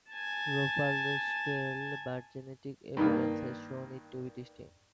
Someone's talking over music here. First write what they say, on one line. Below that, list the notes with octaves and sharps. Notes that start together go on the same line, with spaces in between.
"Rhopalostylae", but genetic evidence has shown it to be distinct.
G#5 A5
G2 D#3 A#3